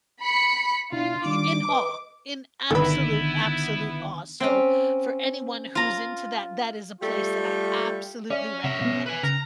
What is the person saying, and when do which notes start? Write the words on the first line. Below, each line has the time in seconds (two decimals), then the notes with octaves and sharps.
W you're in awe, in absolute, absolute awe, so for anyone who's into that that is a place that I absolutely recommend
0.21 B5 B6 C#7
0.92 B2 D4 E4 F4
1.25 D#3 G3 D4 D6
1.68 B4 D#5
2.71 G1 B2 D3 D#3 B3 E4 A4 B4
4.40 C4 C#4
5.75 F4 A#5
7.01 G3 A3 F4
8.31 C#4 D5 E5
8.64 C3 C#4 E5
8.81 B2 B3
9.06 B4 G#5
9.23 C#3 A#5 F6